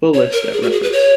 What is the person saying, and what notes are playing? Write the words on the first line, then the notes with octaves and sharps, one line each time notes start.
Full list at reference.
C#5
A#4
G#4
F#4
G#4
B4
C#5